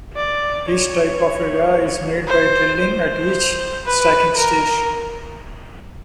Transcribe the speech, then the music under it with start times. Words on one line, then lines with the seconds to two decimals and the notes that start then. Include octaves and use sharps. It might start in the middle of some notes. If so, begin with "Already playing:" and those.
Each type of via is made by drilling at each stacking stage.
0.17 D5
0.69 C#5
2.27 C5
2.80 C5
3.85 B4
4.37 A#4